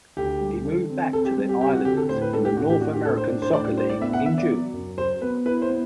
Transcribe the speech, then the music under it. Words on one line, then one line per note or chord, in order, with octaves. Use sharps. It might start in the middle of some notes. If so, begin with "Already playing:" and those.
He moved back to the Islanders in the North American Soccer League in June.
D2 G4
G3
D3
C4
C4 A4
G4
G3
G4
C4 G4
F#4
D3 G4
A4
A2 C5
B4
D4 A4
G4
A2 F#4
G4
D4 F#4
G4
A2 A4
C5
D4
C5
A2 D5
D4 C5
D5
B3 E5
F#5
B3 E5
D5
F#3
F#2
F#3 C5
B3 B4
E4 B4
C5
B3